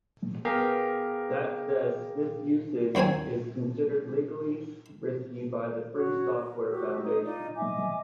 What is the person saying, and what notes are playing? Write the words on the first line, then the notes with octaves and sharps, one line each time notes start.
That said, this usage is considered legally risky by the Free Software Foundation.
B3 G4 G#4 A#4 F5
D#2 F#3 C4 G5 G#5
F#4 C#5
A#4
F#4 G4 E6
D#4 D#6
D#4 F4 D5
D#5 E5 G#5 D6